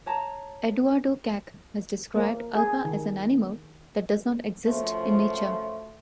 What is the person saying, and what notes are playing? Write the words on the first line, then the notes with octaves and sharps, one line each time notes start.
Eduardo Kac has described Alba as an animal that does not exist in nature.
C#5 A5 A#5
A#3
G#4
D#3
F#2 F3 A3